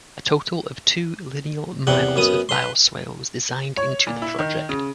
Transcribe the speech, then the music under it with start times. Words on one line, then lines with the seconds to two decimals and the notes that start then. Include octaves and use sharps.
A total of two lineal miles of bioswale was designed into the project.
1.87 E2 C3 F#5 G5
2.16 F#2 B3 D#6
2.49 B4 C6
3.77 C#5
4.07 A#2
4.22 E4
4.39 D#3
4.69 C#3